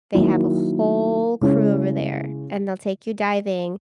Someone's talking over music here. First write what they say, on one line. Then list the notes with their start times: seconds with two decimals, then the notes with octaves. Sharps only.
they have a whole crew over there, and they'll take you diving,
0.14 D#3 F#3 A#3 E4
1.41 C#3 G#3 C#4 E4